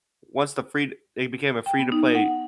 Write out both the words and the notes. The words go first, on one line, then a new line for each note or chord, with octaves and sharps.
once the free it became a free-to-play
G5
B3
D#4
F#5